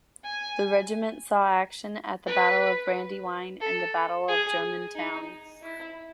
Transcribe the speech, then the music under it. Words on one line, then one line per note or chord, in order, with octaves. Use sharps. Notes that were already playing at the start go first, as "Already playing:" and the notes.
The regiment saw action at the Battle of Brandywine and Battle of Germantown.
G#5
B4
A4
G#4
D#4
E4